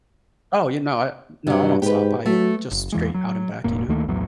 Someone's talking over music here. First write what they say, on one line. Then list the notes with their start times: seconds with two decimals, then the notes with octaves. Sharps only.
Oh, yeah, no, I no, I don't stop, I just straight out and back, you know?
1.47 G2 C3 F#3
1.82 G#2 G4 B4
2.26 F#3 A3
2.72 F#1
2.92 E2 E3 G#3
3.14 F#3
3.64 E1 A2 A#3
3.88 D2 D#3 A3 A#3
4.08 B1 E2 A2 F#3